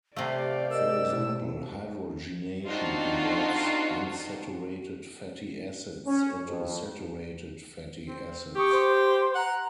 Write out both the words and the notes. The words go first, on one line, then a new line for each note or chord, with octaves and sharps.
For example, hydrogenation converts unsaturated fatty acids into saturated fatty acids.
C3 A3 G4 D5 F5
A#4 D#5 E6
B2 E4
C4 D4 D#4 F4 F#4 A4
C#4
F2
C4
G4 C#6 D#6
C5
F#5 A#5